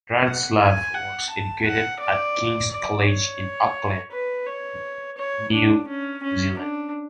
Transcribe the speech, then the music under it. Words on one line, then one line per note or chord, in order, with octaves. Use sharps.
Retzlaff was educated at King's College in Auckland, New Zealand.
F#5
G#5
F#5
A5
F#5
D5
D5
C#5
B4
C#5
C#5
D4
C#4
C#4
D4